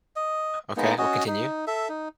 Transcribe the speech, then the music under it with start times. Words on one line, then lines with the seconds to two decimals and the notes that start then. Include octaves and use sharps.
Okay, well, continue.
0.16 D#5
0.77 G#3 A#3 B3 D#4
0.98 C#4 F#4 D#5
1.27 D#4
1.67 A4 E5
1.89 D#4